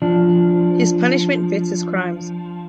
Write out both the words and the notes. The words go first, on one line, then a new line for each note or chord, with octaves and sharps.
His punishment fits his crimes.
F3 D4